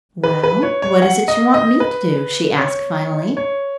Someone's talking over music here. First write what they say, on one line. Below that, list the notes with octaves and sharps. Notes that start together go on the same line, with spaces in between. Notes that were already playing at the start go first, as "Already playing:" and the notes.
"Well, what is it you want me to do?" she asked, finally.
B4
B4
C#5
C#5
F#5
D#5
D#5
B4
C#5
C#5